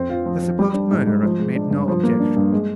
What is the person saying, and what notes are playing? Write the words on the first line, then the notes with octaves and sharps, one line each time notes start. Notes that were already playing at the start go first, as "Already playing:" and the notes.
The supposed murderer made no objection.
Already playing: F2 C4
F4
F3
F3
G3
D4
G#2
G#2
F3
G#3
D4
G2
F3
A#3
D4
G2
G#3